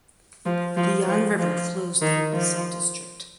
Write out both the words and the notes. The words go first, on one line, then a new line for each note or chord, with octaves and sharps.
The Yan River flows through the subdistrict.
F3
F3
F3
F3
D#3
F3